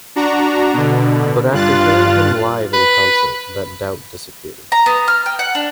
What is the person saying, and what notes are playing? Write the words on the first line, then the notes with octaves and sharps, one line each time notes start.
But after hearing him live in concert that doubt disappeared.
D4 F#4 A#5
B2 D3
G2 F4 F#6 A6
B4
A#5
B3
F6
G5
F#5
D4